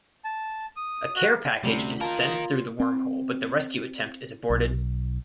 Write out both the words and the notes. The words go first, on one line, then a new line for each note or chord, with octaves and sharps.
A care package is sent through the wormhole but the rescue attempt is aborted.
A5
D#6
F#4
D2 C3 G3 C#4
A#3 F4 A#4 D#5 A5
C4
B1